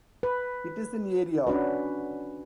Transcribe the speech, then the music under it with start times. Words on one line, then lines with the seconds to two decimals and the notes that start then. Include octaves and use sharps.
It is in area.
0.23 B4
1.47 C#4 D4 F#4 B4